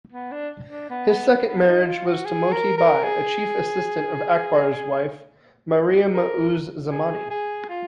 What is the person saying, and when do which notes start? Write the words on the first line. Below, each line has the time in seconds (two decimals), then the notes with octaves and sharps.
His second marriage was to Moti Bai, a chief assistant of Akbar's wife, Mariam-uz-Zamani.
0.12 B3
0.32 D4
0.70 D4
0.90 B3
1.09 B3
1.28 B3
1.48 B3
1.67 D#4
1.86 F4
2.06 F#4
2.25 G#4
2.52 A#4
2.78 A#4
3.04 G#4
6.14 A#4
6.91 G#4
7.30 G#4
7.69 F4